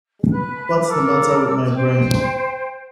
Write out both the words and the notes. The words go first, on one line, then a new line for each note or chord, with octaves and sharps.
What's the matter with my brain?
B4 F#6
A4 A#4 D6
C5 G5